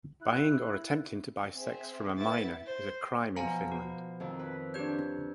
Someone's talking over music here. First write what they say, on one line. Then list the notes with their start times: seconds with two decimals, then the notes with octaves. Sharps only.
Buying or attempting to buy sex from a minor is a crime in Finland.
0.22 E4 F#6
1.55 C4 G#4 E5
2.18 B3 E4 E5 A6
2.66 C5
3.36 B2 F3 F5 G#5 A#5
3.72 F#4
4.20 F2 D#3
4.39 B4
4.74 D4 G4 C#5 G6